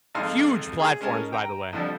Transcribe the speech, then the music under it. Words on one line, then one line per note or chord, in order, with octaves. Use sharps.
Huge platforms, by the way.
G#1 F2 D#4 F5 C6
G#4
G#3 C#4 A#4 G#5 A5
G5 A#5
F2 D3 F3 G3